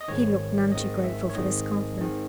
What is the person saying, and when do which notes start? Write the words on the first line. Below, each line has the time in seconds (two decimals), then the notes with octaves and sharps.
He looked none too grateful for this confidence.
0.01 D#5
0.08 G#1 G#2 D#3 C#5
0.72 G#1 G#2 D#3 D#5
1.04 E5
1.29 C#5
1.35 G#1 G#2 D#3 D#5
1.98 G#1 G#2 D#3